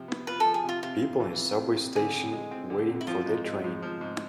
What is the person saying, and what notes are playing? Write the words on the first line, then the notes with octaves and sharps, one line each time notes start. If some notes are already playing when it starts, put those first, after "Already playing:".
People in a subway station waiting for their train.
Already playing: C3 F3
B3
F4 B4
A4
F3
G#4
C3 F4
C3 F4
F2
E3
F2
C3
F2
D3 G#4
F2
G#3
C4
D3
F2
E4
F3 F4
G#2
G#3
G#2
F3
G#2